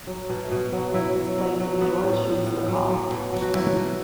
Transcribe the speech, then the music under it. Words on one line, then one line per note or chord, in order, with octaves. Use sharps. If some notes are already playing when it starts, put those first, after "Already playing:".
A struggle takes place and George shoots the cop.
F#3
B2
B2
F#3
F#3 E4
F#3
F#3
F#3
F#3 B3
A2
A2
A2
F#3
F#3
B2
F#3
F#4
F#3 E4
B2